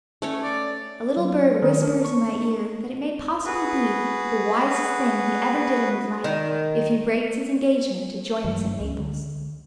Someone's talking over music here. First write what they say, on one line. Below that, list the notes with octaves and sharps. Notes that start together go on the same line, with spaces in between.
A little bird whispers in my ear that it may possibly be the wisest thing he ever did in his life if he breaks his engagement to join us at Naples.
A3 C#4 C#5
D5
F#3
D#3
D4 A#4
C#6
F#4 G#4 B4
D#3
G2 E3 F#3 G#3
C#2 C#4
D3